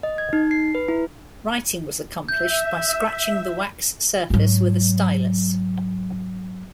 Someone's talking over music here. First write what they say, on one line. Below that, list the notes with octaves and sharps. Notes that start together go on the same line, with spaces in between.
Writing was accomplished by scratching the wax surface with a stylus.
D#5
G#6
D#4
C7
B4
E4
E5 G6
G#2 F#3